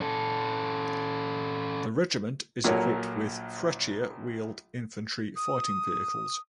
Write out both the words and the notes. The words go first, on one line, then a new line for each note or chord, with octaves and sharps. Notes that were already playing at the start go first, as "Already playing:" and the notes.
The regiment is equipped with Freccia wheeled infantry fighting vehicles.
C#4 A4
A#1 A#2 F#3 A4 A#4 C#5
D#6